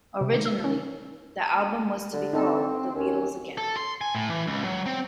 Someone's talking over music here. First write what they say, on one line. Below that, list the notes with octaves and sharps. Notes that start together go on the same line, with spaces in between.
Originally, the album was to be called "The Beatles Again".
C3
D#3
E6
C#4
D3
C4 D#4 A4
D#2 C#4
A4
C6
G#5
A2
E3
C#2
F#3
C4